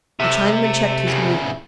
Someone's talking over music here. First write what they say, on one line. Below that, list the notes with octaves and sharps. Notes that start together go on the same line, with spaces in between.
The Chinaman checked his movement.
A2 C3 E5
A3
E2 C#3